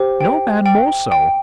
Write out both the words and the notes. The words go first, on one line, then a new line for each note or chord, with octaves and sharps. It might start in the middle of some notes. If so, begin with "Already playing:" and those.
"No man more so."
Already playing: G4 C5
G5
G5
G5